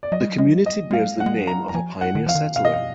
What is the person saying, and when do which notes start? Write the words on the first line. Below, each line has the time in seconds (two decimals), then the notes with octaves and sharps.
The community bears the name of a pioneer settler.
0.03 D5
0.12 F#3 D#5
0.21 G#3
0.29 F#3
0.38 G#3 D#5
0.46 F#3
0.56 G#3
0.65 F#3 D#5
0.73 G#3
0.82 F#3
0.91 G#3 F5
1.00 F#3
1.09 G#3
1.18 F#3 F#5
1.26 G#3
1.35 F#3
1.47 A#5
1.69 A#5
1.74 F3 G#5
2.01 F#5
2.15 D#3
2.26 F3 F5
2.35 D#3
2.55 B2 F5
2.65 D#5
2.73 F5